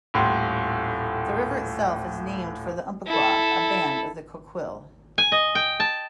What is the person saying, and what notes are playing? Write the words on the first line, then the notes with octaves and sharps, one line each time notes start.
The river itself is named for the Umpqua, a band of the Coquille.
D#1 A2 C6
E4 A4
G#5
D#5
G5
A5